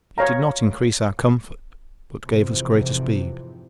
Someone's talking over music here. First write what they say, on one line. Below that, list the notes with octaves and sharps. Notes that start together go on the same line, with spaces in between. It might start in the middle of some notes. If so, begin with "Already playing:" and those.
It did not increase our comfort but gave us greater speed.
C#5 F5 A#5
F2 G#2 C3 E3